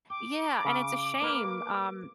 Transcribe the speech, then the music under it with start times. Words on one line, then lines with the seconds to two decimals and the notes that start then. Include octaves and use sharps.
yeah, and it's a shame, um,
0.10 G5 D6
0.65 C#3
1.22 A#3 B4 F5